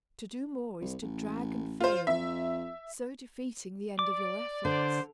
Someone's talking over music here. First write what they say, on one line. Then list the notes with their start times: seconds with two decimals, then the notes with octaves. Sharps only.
To do more is to drag and fail, so defeating the end of your efforts.
0.81 C2
1.02 A1
1.80 F4 C5
2.07 F2 E5
3.99 D5 D6
4.65 D3 C5